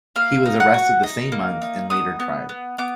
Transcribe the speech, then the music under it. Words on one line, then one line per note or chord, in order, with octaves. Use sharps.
He was arrested the same month and later tried.
A#3 F5
D#4
F#5
F#4
D#4
A#3
D#4
B3 D#6
B3
B3
B3 D6